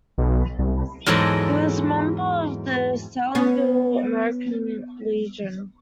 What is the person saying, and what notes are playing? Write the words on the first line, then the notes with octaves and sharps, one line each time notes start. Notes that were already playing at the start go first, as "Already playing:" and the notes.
He was a member of the Salineville American Legion.
B1
C2
E2 G#2 F#3 G#3 A4 D5
B3 C#4